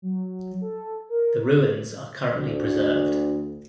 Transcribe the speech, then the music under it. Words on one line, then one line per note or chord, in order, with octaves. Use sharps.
The ruins are currently preserved.
F#3
A4
A#4
D2